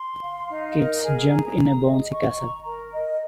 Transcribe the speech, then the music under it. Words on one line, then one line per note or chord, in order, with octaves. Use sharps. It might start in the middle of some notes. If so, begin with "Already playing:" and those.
Kids jump in a bouncy castle.
Already playing: C6
F5
D#4
A#4
G#4
A#5
G#4
D#5
C#6
A#5
A#4
D#5